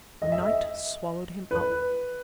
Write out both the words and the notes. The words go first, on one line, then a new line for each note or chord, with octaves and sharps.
The night swallowed him up.
D#5
E5
D#5
B4